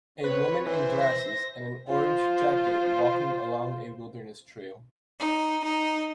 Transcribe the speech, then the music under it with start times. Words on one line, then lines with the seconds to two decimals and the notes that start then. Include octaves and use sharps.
A woman in glasses and an orange jacket walking along a wilderness trail.
0.24 C4 B4 C#5
0.66 E3 C5 E5
1.01 A#6
1.89 F4 C5
5.19 D#4
5.64 D#4